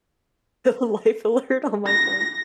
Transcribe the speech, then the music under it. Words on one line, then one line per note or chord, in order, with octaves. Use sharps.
Life alert on my phone.
A#6